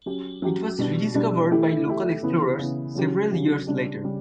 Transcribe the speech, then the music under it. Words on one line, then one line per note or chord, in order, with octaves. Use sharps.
It was rediscovered by local explorers several years later.
F#3 C#4 G4
F#3 C#4 G4
B2 G3 D4
B2 G3 D4
E3 A3 E4 G4
E3 A3 E4 G4
C#3 E3 B3
C#3 E3 B3
C#3 F#3 C#4 G4
C#3 F#3 C#4 G4
C#3 G3 D4 G4
C#3 G3